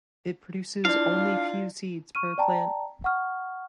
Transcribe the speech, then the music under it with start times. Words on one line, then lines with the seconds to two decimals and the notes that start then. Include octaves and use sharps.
It produces only few seeds per plant.
0.85 D4 E4 F4 D5 F5
2.15 C#6 F6 D#7
2.38 D5 G5 A5 A#5
3.04 F#5 C#6 F6